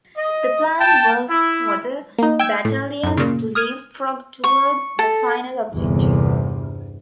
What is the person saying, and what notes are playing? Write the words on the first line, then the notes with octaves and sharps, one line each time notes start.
The plan was for the battalions to leap-frog towards the final objective.
D#5
G5 A5
E4
A#3 D#4
G5 E6 G#6
A2
F#2 A2
A#2 C#3
D#6 F6 G#6 D#7
C#6
A4
G1 E2 C3